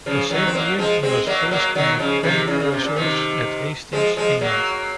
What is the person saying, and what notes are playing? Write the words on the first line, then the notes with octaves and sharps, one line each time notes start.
The same year he was first in the Premier Reserves at Hastings, England.
C#3 F3
D#3 F#3
C4
F#3 A#3
F3 G#3
G#3 C4
F#3 A#3
F#3 A#3
D#3 F#3
C#3 F3
C3 D#3
C#3
C#3
C3
A#2
C3 D#3
F3 G#3
F3 G#3
F#3 A#3